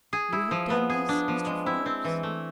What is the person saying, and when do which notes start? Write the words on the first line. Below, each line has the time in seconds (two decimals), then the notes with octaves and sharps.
"You have done this, Mr. Forbes?"
0.13 G#4
0.33 E4
0.51 F3
0.70 B3
0.90 G#4
1.09 D4
1.28 F3
1.46 G#3
1.66 E4
1.86 C4
2.05 E3
2.23 A3